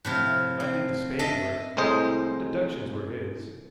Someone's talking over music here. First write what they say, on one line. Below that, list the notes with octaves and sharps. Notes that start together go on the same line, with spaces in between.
If I did the spade work, the deductions were his.
A2 C3 F3
C4
D4 A4 D#5 E5
C2 A2 G#3 C5 D#5